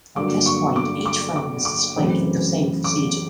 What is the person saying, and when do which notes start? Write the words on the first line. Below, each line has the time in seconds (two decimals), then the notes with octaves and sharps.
At this point each frame is displayed with the same procedure.
0.16 G2 D3 F#3 A#3 D6
0.46 C#6
0.76 D6
1.06 D6
1.36 D6
1.65 D6
1.95 F#2 C#3 E3 A3 C4
2.84 D6